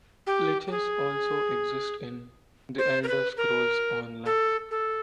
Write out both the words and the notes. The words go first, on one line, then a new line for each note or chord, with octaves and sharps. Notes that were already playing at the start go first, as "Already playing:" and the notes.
Liches also exist in "The Elder Scrolls Online".
G4
G4
G#4
C5
A#4
B4
A#4
A4
A4